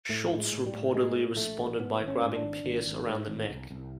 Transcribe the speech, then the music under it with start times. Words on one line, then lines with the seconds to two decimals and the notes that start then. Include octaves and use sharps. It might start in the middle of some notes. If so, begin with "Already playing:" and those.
Schultz reportedly responded by grabbing Pearce around the neck.
0.09 A2 A3
0.32 A2
0.38 G#3
0.52 A2
0.66 G3
0.73 A2
0.94 A2 G#3
1.15 A2
1.36 A#1 A3
1.58 A#1
1.79 G#2 B3
2.00 G#1
2.08 C#4
2.22 G#2
2.36 D4
2.42 G#1
2.64 G#1
2.85 G#1
3.06 G#2
3.28 G#1
3.48 C2
3.71 C2